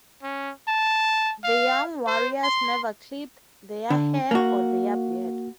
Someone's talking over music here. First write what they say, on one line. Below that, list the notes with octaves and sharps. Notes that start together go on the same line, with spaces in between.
The young warriors never clipped their hair or their beard.
C#4
A5
F5
C5
C6
D3
A#3 F#4